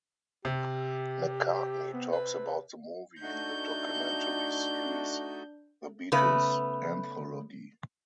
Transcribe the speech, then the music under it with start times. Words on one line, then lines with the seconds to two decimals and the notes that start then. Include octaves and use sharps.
McCartney talks about the movie in the documentary series "The Beatles Anthology".
0.45 C3 G4
1.94 B3
2.13 B4
3.22 A3 D4 D#4 F#4 G6
6.12 C#3 A3 B3 B4